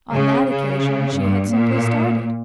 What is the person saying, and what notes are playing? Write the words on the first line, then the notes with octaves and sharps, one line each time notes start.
On that occasion she had simply started.
C#3
C#3
G2
A#2